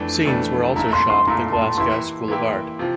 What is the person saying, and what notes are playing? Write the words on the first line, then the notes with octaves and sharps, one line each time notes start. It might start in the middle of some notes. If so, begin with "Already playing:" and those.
Scenes were also shot at the Glasgow School of Art.
Already playing: F2 E3 A3 D4
F2 E3 A3 D4
A#2 A3 E4 A#5
C6
C6
A#2 A3 E4 A#5
A5
E3 A#3 E4 G4 C6
E3 A#3 E4 G4
C3 F3